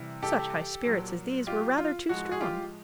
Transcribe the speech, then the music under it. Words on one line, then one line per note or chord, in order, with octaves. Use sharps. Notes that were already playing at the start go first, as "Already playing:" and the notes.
Such high spirits as these were rather too strong.
Already playing: C3 E3 G3
G4 A4
A#2 F#3
F4 G4
F4
A2 F3 G#3 F#4
G#4
F4 G4